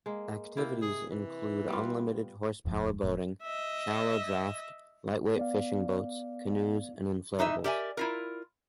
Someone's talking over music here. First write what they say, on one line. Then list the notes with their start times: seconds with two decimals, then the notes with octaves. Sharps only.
Activities include unlimited-horsepower boating, shallow-draft, lightweight fishing boats, canoes and inflatables.
0.06 G#3 A#3
0.57 C3 A#3 E4
0.82 G#4
1.12 E3
1.68 G3 B3 F4
2.65 D#1 F2 E3 F3
3.03 F1 A2
3.43 D#5 E5
5.37 B3 D5 F5
7.39 E3 D#4 D#5 E5
7.64 G4 A#4 D5 E5 F#5 G#5
7.97 E4 F4 A#4